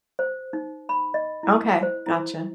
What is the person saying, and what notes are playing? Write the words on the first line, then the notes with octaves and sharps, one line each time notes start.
Okay, gotcha.
C5
D#4
B5
D#5
E4
C5
E4